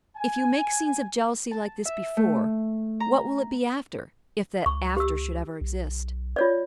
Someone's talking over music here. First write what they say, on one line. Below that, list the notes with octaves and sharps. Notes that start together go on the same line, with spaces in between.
If you make scenes of jealousy like this before, what will it be after, if that after should ever exist?
G#5
A5
E5
A3
A#5
C#2 C#6
G4 E6
B1
F4 C#5 D5